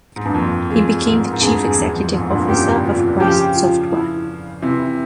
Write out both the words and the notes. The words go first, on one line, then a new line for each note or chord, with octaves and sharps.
He became the Chief Executive Officer of Quest Software.
G#2
G2
F2 A#3
F2 G#4
F2 G#2 A#4
G#2
E2 G2 G#4
E2
F2
F2 G#2
G2 A#2
A#2 C#3 G4
F4
C#3 F3 G4
F4
E4
C3 E3 E4